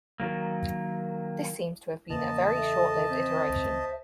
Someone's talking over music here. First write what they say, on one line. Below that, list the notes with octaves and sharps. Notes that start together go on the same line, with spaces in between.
This seems to have been a very short lived iteration.
D#3 F#3 A#3
E2 C#3 A#3 D#5 A5
A4 E5
C4 C5 E5
C#2